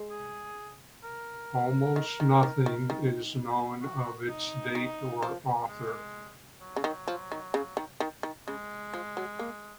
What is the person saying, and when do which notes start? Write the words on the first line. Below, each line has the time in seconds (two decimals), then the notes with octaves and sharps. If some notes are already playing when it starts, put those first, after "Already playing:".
Almost nothing is known of its date or author.
Already playing: G#3
0.11 G#4
1.04 A#4
1.96 D#3
2.20 D#3
2.43 D#3
2.66 D#3
2.90 D#3
3.82 F#4
4.29 D#4
4.75 D#3
5.23 F3
5.69 G#3
6.61 F#3
6.76 C#3
6.84 D#3
7.08 F3
7.32 D#3
7.54 C#3
7.77 D#3
8.00 D#3
8.23 D#3
8.47 C#3 G#3
8.94 F3
9.17 F#3
9.39 A#3